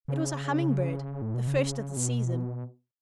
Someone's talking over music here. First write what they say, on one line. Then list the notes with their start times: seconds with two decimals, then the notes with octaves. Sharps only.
It was a humming-bird,--the first of the season.
0.08 C#3
1.22 A2
1.34 B2
1.47 C#3
1.97 B2